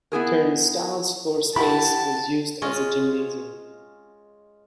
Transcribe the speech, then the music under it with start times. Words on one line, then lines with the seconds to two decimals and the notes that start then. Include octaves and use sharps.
Turn Style's floor space was used as a gymnasium.
0.12 B3 E4 G#4 A#4
1.56 E4 G4 B4 F#5 A5 B5
2.62 G#3 C#4 F4 C#5 D#5